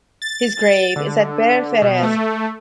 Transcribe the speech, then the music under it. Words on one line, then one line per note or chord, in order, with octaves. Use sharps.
His grave is at Bere Ferrers.
A6
D3
B2
A3